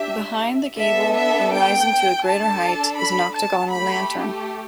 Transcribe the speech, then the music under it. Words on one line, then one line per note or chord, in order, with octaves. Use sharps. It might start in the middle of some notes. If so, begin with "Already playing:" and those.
Behind the gable, and rising to a greater height is an octagonal lantern.
Already playing: D4 G4 E5
B3 D4 A4 E5
E5
G5
D4 A4 A5
B5
A5
A3 G4 B5